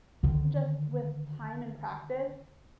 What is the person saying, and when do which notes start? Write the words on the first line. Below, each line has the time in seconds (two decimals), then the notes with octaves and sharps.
just, with time and practice
0.23 D3 D#3